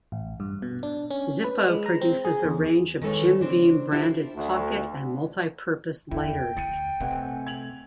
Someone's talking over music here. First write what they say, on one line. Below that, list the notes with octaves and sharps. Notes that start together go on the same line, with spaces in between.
Zippo produces a range of Jim Beam branded pocket and multi-purpose lighters.
A1
G2
B2
D4
C#4
B4
G#3
A#5
C4
G#4
E2
D#3 G#3 A4 B4 C#5
C#3 C4 D4
D4 E4 F4 G4 A4 C5
D2
E2 E4 A4 G5
D2 A6 C#7 D#7
C3 A3 C4 B4 D#5 F#5 G#5
G#6 F7 F#7